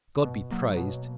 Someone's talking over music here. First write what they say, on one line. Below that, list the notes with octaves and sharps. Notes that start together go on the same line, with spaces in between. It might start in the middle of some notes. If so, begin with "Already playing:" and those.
God be praised!
B2
F#3 A#3
B2